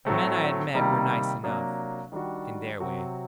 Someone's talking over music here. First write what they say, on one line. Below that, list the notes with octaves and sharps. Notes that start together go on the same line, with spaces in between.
The men I had met were nice enough--in their way.
A2 F#3 A3 C4
C3 D#3 G3 A#3
C3 F#3 A#3 D4
D#3 G3 D4 F#4
C3 F#3 C4 F#4